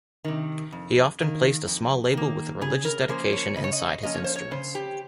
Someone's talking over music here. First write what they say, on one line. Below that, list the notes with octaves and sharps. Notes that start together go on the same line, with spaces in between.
He often placed a small label with a religious dedication inside his instruments.
C3 D#3
F2
D#3 A#3
F2
D#3 A#3
C#3 G#4
A#4
F3 A#3 C#4 C5
C#5
C#3 D#5
C#5
D#5
F3 A#3 C#4 D#5
C#5
C5
C#5
C#3 C5
G4